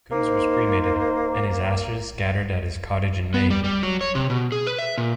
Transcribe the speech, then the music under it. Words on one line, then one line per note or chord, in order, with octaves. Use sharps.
Coombs was cremated and his ashes scattered at his cottage in Maine.
A#3 D#4 C5
B3
G3
G3
F#3
C#5
C3
B2
G#4
B4
E5
A#2